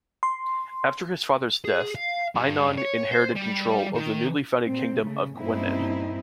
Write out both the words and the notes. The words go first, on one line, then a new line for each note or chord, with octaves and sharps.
After his father's death, Einion inherited control over the newly founded kingdom of Gwynedd.
C6
G#4
F5
G2
C#5
C5
G3
D#3
A#2 C4
C#3 A3
G2 A#2 C4 C#4 D#4 E4